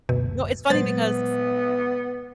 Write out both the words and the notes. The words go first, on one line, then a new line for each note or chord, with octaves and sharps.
No, it's funny because
F#1 D2 B2
A#2 F#3 G#3 B3 C5 A6